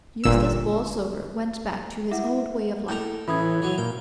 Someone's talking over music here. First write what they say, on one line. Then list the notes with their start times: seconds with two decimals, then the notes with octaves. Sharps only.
Eustace Borlsover went back to his old way of life.
0.24 G1 A#2 E6
2.12 E4 E5 F#5
2.88 A3 A#3 E4 A4 A#4
3.28 A2 E3 C#4 B5 D#6 G#6
3.62 E3 F#3
3.78 A#2 G5